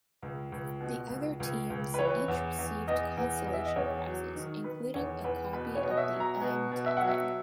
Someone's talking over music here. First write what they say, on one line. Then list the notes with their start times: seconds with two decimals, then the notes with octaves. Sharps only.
The other teams each received consolation prizes, including a copy of the I'm Telling!
0.22 C#2
0.52 C#2
0.81 B2
1.10 C#2
1.40 C#2
1.70 C#2
1.94 B4
1.99 E3 C#5
2.28 E2
2.59 E2
2.88 E2 D#5
3.17 E2
3.46 E2
3.53 E5
3.65 D#5
3.76 E2 C#5
4.06 F#3
4.35 D#3
4.64 D#3 B4
4.94 E2 C#5
5.24 E2 B4
5.53 B2 B4
5.75 C#5
5.83 B2
5.91 D#5
5.97 E5
6.13 F#3
6.20 A#5
6.41 B2
6.71 B2
6.86 E5
6.97 F#3 F#5
7.08 E5